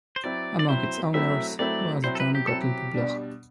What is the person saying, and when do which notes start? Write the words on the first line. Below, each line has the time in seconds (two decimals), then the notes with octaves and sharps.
Among its owners was Jan Gotlib Bloch.
0.16 C5
0.24 F#3 C4 E4 D5
0.59 D5
0.69 F#3 C4 E4 C5
1.14 F#3 A3 C4 E4 E5
1.59 F#3 A3 C4 E4 D5
2.04 F#3 C4 E4 C5
2.15 A4
2.20 B4
2.35 G4
2.47 F#3 C4 E4 A4
2.61 G4
2.94 B2 G3 D4